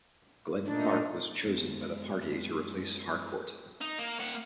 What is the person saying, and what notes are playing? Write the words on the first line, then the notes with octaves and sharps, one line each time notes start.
Glen Clark was chosen by the party to replace Harcourt.
A#2 A3 D4 D#4
F#2 G#3 B3
D#4
A#3
A#3 F#5